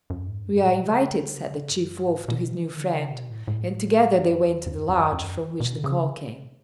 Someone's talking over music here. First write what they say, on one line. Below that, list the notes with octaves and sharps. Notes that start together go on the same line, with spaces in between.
"We are invited," said the chief Wolf to his new friend, and together they went to the lodge from which the call came.
F#2
G#2
F#2
A2
B2
C#3
D3
C#3
F#2
G#2
B2
E3
D3
C#3
B2
A2
A2
F#2
E2
F#2
F#2
F#2
B2
D3
C#3